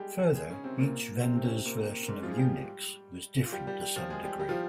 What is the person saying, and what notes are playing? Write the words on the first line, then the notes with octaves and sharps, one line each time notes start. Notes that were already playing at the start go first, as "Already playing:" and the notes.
Further, each vendor's version of Unix was different to some degree.
Already playing: G3 G#3 G4 G#4
G#3 G#4
C#3 C#4
C3 C4
A#2 A#3
C3 C4
C3 C4
C#4
C3 C4
A#2 A#3
A#3
G#2 G#3
F3 F4
G#4
G3 G4
F4
G3 G4
G3 G4
G3 G4
F3 F4
G#3 G#4
G3 G4
G3 G4
F3 F4